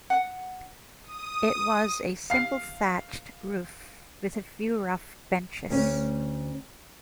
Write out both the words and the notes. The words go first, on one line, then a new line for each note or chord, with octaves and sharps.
It was a simple thatched roof with a few rough benches.
F#5
D#6
F5 C7
D2 C#4